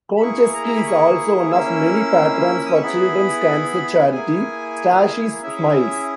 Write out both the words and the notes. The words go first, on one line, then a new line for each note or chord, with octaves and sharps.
Konchesky is also one of many patrons for Children's Cancer Charity "Stacey's Smiles".
B5
A#3 E4 G#4 C#6
A#5
A#5
B5
C#6
A#3 C#4 E4 E6
D#6
C#6
B3 E4 G#4 B5
A#3 E4 G#4 G#5
C#4 E4 G#4 E5